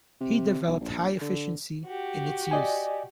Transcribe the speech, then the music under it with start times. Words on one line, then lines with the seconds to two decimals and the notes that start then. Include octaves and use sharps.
He developed high efficiency in its use.
0.20 C3
0.67 B1
0.80 A#1
1.21 D3
1.86 F#4 G4
2.51 D5 D#5 G#5